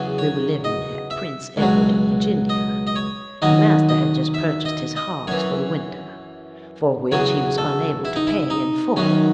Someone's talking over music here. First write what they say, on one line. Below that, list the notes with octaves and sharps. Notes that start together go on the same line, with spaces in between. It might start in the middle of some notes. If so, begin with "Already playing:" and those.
We were living at Prince Edward, in Virginia, and master had just purchased his hogs for the winter, for which he was unable to pay in full.
Already playing: E2 C#3 F#3
C#5
D#5
E5
C#2 B2 F#3
D#5
D#5
C#5
D#2 D#3 F#3 D#5
D#5
E5
D#5
D#5
F#2 E3 C#5
E2 C#3 F#3 C#5
A4
E4
D#4
E4
D#4
F#2 D#3 F#3 C#4